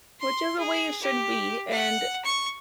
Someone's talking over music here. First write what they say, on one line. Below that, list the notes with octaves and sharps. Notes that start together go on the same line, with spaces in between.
Which is the way it should be, and
C6
G#4
G4
F#5
C#6